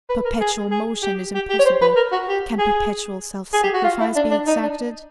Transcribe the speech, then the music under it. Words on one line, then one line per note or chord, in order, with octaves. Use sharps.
If perpetual motion is impossible, can perpetual self-sacrifice be exacted?
B4
A#4
G#4
G#4
G4
G4
G4
C#5
C5
B4
A#4
F#4
G4
G#4
G#4
G4
F#4
F4
E4
D4
D4
D#4
D4